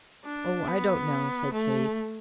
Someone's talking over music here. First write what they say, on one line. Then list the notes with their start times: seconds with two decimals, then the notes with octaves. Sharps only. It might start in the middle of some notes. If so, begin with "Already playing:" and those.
"Oh, I don't know," said Kate.
0.25 D4
0.68 B3
1.53 A3